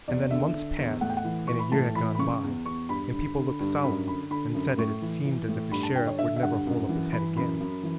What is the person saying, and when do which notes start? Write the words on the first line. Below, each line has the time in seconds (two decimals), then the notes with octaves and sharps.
And then months passed and a year had gone by, and people looked solemn and said that it seemed as if the Sheriff would never hold up his head again.
0.08 E2 D5
0.31 D3 E5
0.54 D3
0.78 E2
1.01 A2 F#5
1.10 G5
1.17 F#5
1.25 E3
1.47 E3 C#6
1.59 B5
1.72 A2 A5
1.95 E3 B5
2.15 B5
2.19 C#3 C#6
2.43 E2
2.66 E2 C#6
2.89 G2 B5
3.14 D3
3.37 D3
3.60 G2
3.83 F#2 B5
4.07 D3 B5
4.30 D3 B5
4.54 F#2
4.78 A2 C#6
5.02 E3
5.25 E3
5.48 A2
5.72 G2 B5
5.83 A5
5.96 D3 G5
6.07 C#5
6.19 D3 E5
6.36 E5
6.42 G2 F#5
6.67 F#2
6.89 E3
7.13 E3 B5
7.37 F#2 B5
7.60 F#2
7.83 E3